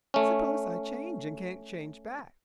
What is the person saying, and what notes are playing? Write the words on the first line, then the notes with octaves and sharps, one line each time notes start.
"Suppose I change and can't change back?"
A3 C#4